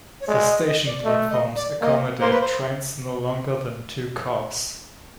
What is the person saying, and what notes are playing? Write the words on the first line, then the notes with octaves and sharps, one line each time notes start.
The station platforms accommodate trains no longer than two cars.
C#5
G#3 D5
D#5
D#5
D5
A3 D#5
D#5
D5
A#3 D#5
A#3 C5
B4
C5